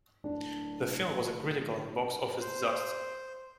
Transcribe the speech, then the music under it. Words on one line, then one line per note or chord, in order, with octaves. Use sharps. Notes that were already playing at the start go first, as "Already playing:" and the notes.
The film was a critical and box office disaster.
D1 D4
C5